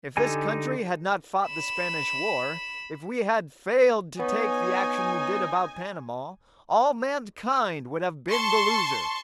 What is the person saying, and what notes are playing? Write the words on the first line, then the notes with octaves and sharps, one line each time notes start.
If this country had not fought the Spanish War; if we had failed to take the action we did about Panama; all mankind would have been the loser.
D3 D#4 G4 A4 G#5
B5 E7
B3 D#4 C#5 G#5
A5 C6 C#6